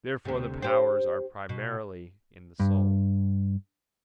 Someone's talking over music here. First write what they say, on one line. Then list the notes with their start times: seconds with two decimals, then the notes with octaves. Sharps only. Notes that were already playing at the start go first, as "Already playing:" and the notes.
Therefore the powers are primarily in the soul.
0.25 D2 C3
0.62 G4 C5
1.49 B2
2.60 G2